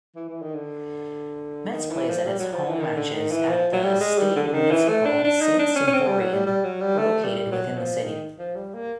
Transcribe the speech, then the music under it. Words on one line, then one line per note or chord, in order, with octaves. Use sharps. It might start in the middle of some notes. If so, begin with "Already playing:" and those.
Metz plays its home matches at the Stade Municipal Saint-Symphorien located within the city.
E3
E3
D#3
D3
D#3
E3
F3
G3
F#3
F3
E3
D#3
D3
D#3
E3
F3
F#3
G3
G#3
G3
D3
D3
D#3
E3
A3
D4
D4
D#4
D4
C#4
C#4
C4
G3
F#3
G3
G3
F#3
G3
A3
G3
F#3
F3
D#3
F3
G3
A#3